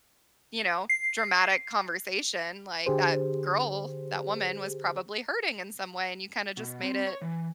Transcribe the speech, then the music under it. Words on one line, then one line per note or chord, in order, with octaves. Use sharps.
you know, dramatic conversation like that girl, that woman was probably hurting in some way and you kinda just made it.
C7
D3 G4 G#4 C5
B2
C4
C#5
E3